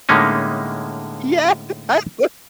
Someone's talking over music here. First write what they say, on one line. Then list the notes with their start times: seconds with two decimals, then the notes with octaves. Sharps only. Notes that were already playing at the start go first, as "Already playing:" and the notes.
Yes! I sw
0.09 A2 D3 G#3 A#3 C#4 D#4